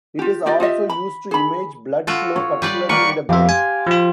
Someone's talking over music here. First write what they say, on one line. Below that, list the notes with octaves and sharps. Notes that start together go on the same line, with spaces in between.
It is also used to image blood flow, particularly in the brain.
F4 G4
F4 G4 D5 D#5
F4 G4 D#5 E5
B5
G#4 B5
F4 F#4 A4
C#5
G3 B4 D5
A#4 B4 D5 G5 C#6
F2 G4 E5 F5 C6
G#5
F3 F4